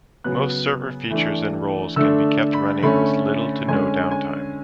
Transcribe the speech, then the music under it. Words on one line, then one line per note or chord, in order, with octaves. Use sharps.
Most server features and roles can be kept running with little to no downtime.
C#3 F#3 B3 F#6
E3 A3 D4
D3 A3 D4 E6
B5
D3 A3 C#4 B5
D3 G#3 C#4 G#5
G#5